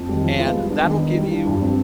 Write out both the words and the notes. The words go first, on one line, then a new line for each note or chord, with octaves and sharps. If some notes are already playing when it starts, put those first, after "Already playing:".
and that'll give you"
Already playing: F2
D#3 G3
F3
G#3 B3 F4 B4
G3
B3 D4
D#3
B3 D#4
G3
D4 F4
G2
F3 C4 G4 D5